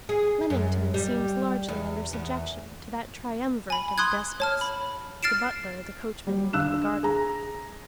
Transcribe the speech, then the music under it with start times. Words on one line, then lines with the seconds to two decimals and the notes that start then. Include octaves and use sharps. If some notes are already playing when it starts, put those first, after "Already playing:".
Leamington seems largely under subjection to that triumvirate of despots--the Butler, the Coachman and the Gardener.
0.09 G#4
0.50 F#2
0.94 G3
1.68 E2
2.13 E2
3.70 G#5 B5
3.98 C6 D#6 F#6 G#6
4.40 C#5 A5 F6
4.61 B5
5.23 F6 A6 C7 D7 E7
6.27 G3
6.53 D3 F5 E6 F#6 E7
7.03 G#4 A#5